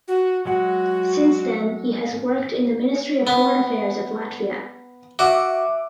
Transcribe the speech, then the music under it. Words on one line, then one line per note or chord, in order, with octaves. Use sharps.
Since then he has worked in the Ministry of Foreign Affairs of Latvia.
F#4
F#3 G#3 F#4 F#5
B3
F#4 E5 D6